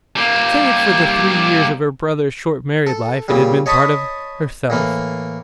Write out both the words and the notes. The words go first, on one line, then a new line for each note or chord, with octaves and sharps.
Save for the three years of her brother's short married life, it had been part of herself.
G3 A#3
A4
A#2 C#3 G3
C#5 D#5 A5 B5 C#6 D#6
A2 E3 A#3